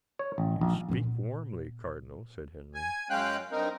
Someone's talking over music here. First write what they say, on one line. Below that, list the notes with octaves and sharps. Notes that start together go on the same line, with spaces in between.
"You speak warmly, cardinal," said Henry.
C#5
A1
A#1
A#2 B3
G#5
F#2 G#3 C#4 F5 G5 F#6
G2 C4 D#4 A#4